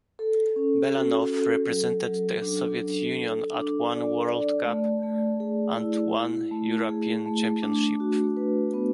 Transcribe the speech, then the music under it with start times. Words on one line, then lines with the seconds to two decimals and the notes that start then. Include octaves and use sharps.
Belanov represented the Soviet Union at one World Cup and one European Championship.
0.19 A4
0.56 C#4
0.94 F#4
1.31 A4
1.68 F#3
2.06 F#3
2.42 D4
2.80 D4
3.16 A4
3.53 D4
3.92 D5
4.28 D5
4.65 A3
5.03 A3
5.40 G#4
5.77 E4
6.13 E4
6.51 A3
6.88 G#4
7.26 A3
7.62 D4
8.00 F#4
8.37 B4
8.74 B3